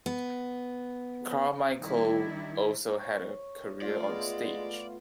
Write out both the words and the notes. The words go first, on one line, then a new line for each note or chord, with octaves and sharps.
Carmichael also had a career on stage.
B3
D#3 G3 D4 E4
C#5
A3 F4 D5
G#3 B3